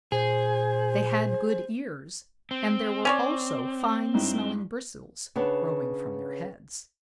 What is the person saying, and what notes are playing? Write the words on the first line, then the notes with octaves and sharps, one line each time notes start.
They had good ears, and there were also fine smelling-bristles growing from their heads.
A#2 G#4 C5
C4
C#4 C#5 D5 D#7
G2 D#4 E4
C#3 B3 D4